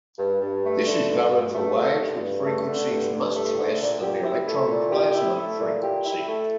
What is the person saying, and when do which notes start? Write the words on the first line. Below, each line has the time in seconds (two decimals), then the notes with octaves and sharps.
This is valid for waves with frequencies much less than the electron plasma frequency.
0.18 G2
0.41 G2
0.64 A3
0.86 D3
1.08 G2
1.31 G2
1.53 A3
1.77 D3
1.99 G2
2.21 G2
2.45 A3
2.67 D3
2.89 G2
3.12 G2
3.35 A3
3.57 D3
3.79 A#2
4.02 G4
4.24 E4
4.47 A3
4.70 A#2
4.92 G4
5.14 E4
5.37 A3
5.60 A#2
5.82 G4
6.05 E4
6.27 A3